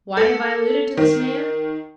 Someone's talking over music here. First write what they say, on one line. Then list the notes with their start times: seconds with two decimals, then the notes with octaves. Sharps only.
Why have I alluded to this man?
0.17 A4
0.97 D#3